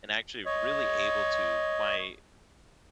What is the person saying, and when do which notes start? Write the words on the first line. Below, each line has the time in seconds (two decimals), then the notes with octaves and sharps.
and actually really able to my,
0.46 C#5 D#5